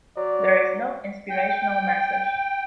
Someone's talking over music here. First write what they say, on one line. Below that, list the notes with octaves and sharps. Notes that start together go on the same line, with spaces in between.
There is no inspirational message.
F#3 D5
G5